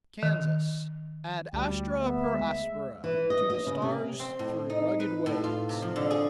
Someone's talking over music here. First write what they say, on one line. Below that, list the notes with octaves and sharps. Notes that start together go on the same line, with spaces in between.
Kansas--Ad astra per aspera: to the stars through rugged ways.
D#3
D2 G3
B3 E5
G#3
E3
D#5
D#5
C#3
C3
C4
A2
D#4
B4
A2
F4
C3
F3
D3
G#4